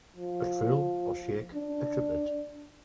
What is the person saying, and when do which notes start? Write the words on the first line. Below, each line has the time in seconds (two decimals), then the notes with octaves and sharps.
A trill, or shake a triplet.
0.16 F3
1.55 D4